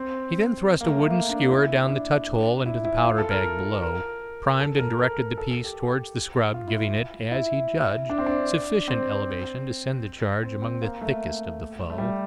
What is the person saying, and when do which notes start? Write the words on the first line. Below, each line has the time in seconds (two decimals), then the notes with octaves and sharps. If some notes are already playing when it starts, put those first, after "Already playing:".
He then thrust a wooden skewer down the touch-hole into the powder bag below, primed and directed the piece towards the scrub, giving it, as he judged, sufficient elevation to send the charge among the thickest of the foe.
Already playing: C4
0.81 A#3
0.85 A3
0.97 A3
1.10 A#3
1.29 D4
1.49 E4
1.89 D4
2.66 E4
2.85 E4
3.04 F4
3.18 A4
3.31 A#4
3.82 A#4
4.60 A4
4.79 A#4
4.99 A#4
5.38 A4
5.51 A4
5.64 G4
6.54 F4
6.68 E4
7.32 E4
8.10 D4
8.18 C4
8.26 D4
8.88 C4
10.43 C4
10.62 C4
10.82 A#3
11.01 A3
11.90 A3
11.98 G3